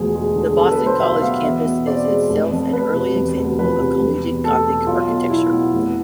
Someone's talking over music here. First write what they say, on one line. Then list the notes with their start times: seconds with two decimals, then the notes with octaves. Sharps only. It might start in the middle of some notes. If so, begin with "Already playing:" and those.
The Boston College campus is itself an early example of Collegiate Gothic architecture.
Already playing: E1 D2 F3 G#4
0.15 G#3
0.36 D3
0.47 G#4
0.57 B1 A4
0.72 B4
0.79 B2
0.86 C5
1.00 B1 E5
1.11 F5
1.22 B3 F5
1.44 E2 E5
1.65 B2
1.87 C4 D5
2.08 G#3
2.30 F1
2.51 F2
2.72 F1 B4
2.93 C3
3.16 E1
3.37 D2
3.59 F3 B4
3.80 C3
4.01 E1
4.23 E2
4.44 A3 A4
4.65 B2
4.87 B1 F4
5.09 B2
5.30 B1 E4
5.53 B3
5.73 F1